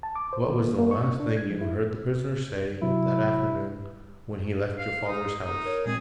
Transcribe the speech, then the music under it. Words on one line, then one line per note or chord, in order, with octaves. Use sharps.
"What was the last thing you heard the prisoner say that afternoon when he left your father's house?"
A5
D6
C5
D#3
A#3
A#3
C#6
C#4
D4
G#6
F3
E4
C3 F#3 E4
F5
D#4
D#4
A#4 C#5
A#2 G#3 C4 G#4